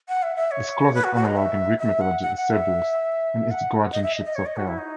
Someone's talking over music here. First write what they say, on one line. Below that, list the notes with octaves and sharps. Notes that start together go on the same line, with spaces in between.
Its closest analogue in Greek mythology is Cerberus, in its guardianship of hell.
F#5
E5
E5
C#5
B4
F#4
F#4
D#5
E5
E5
F#5
F#5
F#5
E5
F#5
D#5
E5
D#5
D#5
C#5
D#5
F#4
E4
D#4